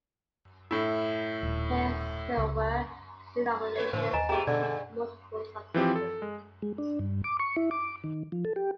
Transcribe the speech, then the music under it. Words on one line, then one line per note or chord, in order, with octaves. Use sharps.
His silver denominations were multiples of the merk.
A2 E4
D#1
C#2
A3 B4 C#5
A2 C#3 E3 A3 C5
D#2 D#5 G#5 A#5
A#2 A3 F4 G4 G#4 A#5
G2 B2 D3 D5
D4
E3 F3 C4 G4
A4
G#3
G#3
D4
G2
D6
C#6
E4
D6
D#3
F3
A4
G4